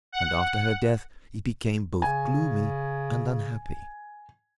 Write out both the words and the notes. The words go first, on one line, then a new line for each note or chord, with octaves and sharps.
And after her death he became both gloomy and unhappy.
F#5
C#3 G#5